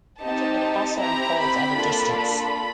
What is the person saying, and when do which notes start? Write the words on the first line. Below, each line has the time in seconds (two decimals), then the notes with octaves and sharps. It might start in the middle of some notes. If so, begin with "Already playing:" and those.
Much of it also unfolds at a distance.
0.20 C4 D#4 G4 A5
0.98 C4 E4 G4 A#5
1.38 B5
1.77 A#3 D4 F4 A4
2.15 B5